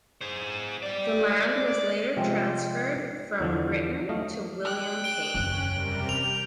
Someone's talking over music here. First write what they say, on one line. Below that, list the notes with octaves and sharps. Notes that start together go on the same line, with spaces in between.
The land was later transferred from Brittain to William Cain.
G#4 C5
G4 D5
D5
C3 F3 G#3 C4 F4
E2 D3 F3
F#3 A3 D#5 F5
G5 F#6
D7 G7
F#1 E2 C#4
C3 G3 A#4
G6 F7